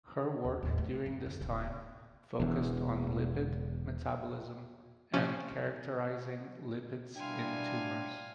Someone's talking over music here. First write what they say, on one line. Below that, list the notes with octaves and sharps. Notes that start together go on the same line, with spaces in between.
Her work during this time focused on lipid metabolism and characterizing lipids in tumors.
D#2
D#2 A2
A3
F#2
D3
D1 D#4
E1 E2
C3 F3 C#4
B2 G3 D4 E4 F5 G5 G#5 C6